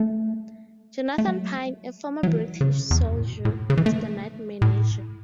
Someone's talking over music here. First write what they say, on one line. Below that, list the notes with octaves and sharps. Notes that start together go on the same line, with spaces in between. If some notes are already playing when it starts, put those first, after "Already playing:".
Jonathan Pine, a former British soldier, is the night manager.
Already playing: A3
A3
F#3
F#3
E3
C#3
E2
F#2
A2
B2
A2
C#3
E3
A3
A2